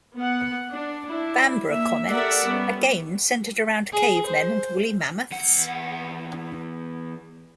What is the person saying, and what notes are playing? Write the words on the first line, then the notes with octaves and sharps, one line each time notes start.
Bambra comments: A game centered around cavemen and woolly mammoths?
B3 F#5
D4
D4 E4
A#3 E5
G4 A4 A#4 D5 E5 F#5
G3 B3 C#4
G#4
C5
E2 F#5